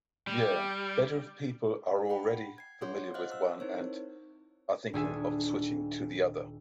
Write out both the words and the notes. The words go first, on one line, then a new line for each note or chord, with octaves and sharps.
Yeah, better if people are already familiar with one and are thinking of switching to the other.
G3
F#5 G5 B5
G#6 C7
F4 G#4 C#5 F#5 C6 G6
C5 D#5 F5 F#5 F6 F#6
E6
C4 D#4 E4 A#4 C5 C#5
D#1 D4 G#4 A4 E5 G#5